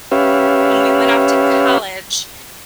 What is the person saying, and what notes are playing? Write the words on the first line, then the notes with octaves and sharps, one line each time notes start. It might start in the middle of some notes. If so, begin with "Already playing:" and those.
when we went off to college,
C#4 G4 B4 C#5 E5 F5